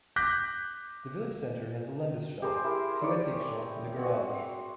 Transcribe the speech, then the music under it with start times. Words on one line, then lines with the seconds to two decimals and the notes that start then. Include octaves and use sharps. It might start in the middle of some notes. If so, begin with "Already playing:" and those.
The village centre has a Londis shop, two antiques shops and a garage.
0.16 D6 F#6 G6 A#6 B6
2.42 G4 G#4 A#4 C5
2.64 E4 A#4
3.01 A#4 C#5 D5
3.97 C4 F#4